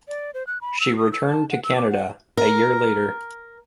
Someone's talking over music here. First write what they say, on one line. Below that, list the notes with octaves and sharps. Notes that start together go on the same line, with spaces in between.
She returned to Canada a year later.
D5
C5
F#6
B5
E6
D#6
E6
A5
F#5
E6
D6
F#5
A#4